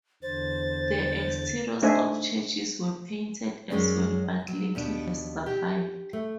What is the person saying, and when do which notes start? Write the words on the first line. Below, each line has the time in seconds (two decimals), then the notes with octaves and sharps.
The exteriors of churches were painted as well, but little has survived.
0.23 E2 D3 C5 A6
1.82 A3 D4 D#4 C5 E5 G#5
3.70 F#2 F#3 G#3 C#4 G#4 D5
4.48 F#3
4.75 D#2 B2 D4
5.46 G4
6.13 A3